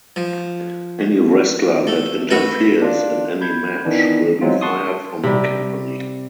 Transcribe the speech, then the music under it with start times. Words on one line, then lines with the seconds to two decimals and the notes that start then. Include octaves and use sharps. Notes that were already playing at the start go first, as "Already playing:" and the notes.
Any wrestler that interferes in any match will be fired from the company.
0.16 F3
1.87 A3
2.30 A3 F#4 B4
2.82 D4 F4
3.41 B5 G6 G#6
3.85 D#3 E3 B3 D4
4.41 E3 F#3 G#3 C4 F4
4.61 F#5 A5 C6 C#6 D#6
5.24 C3 G3